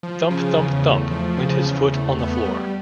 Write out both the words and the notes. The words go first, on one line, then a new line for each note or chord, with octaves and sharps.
Thump, thump, thump, went his foot on the floor.
F3
C#3
E2
A3
F3
C#3
E2
A3
B3
G3